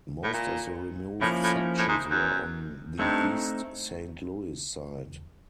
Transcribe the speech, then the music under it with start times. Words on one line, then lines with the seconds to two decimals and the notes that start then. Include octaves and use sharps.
Most of the removed sections were on the East Saint Louis side.
0.24 A2
0.33 A#2
1.21 A2 F3 A#3 C#4 E4
1.44 A2
1.78 A2
1.88 G#2
2.11 F#2
2.99 G2 A3 C4 D#4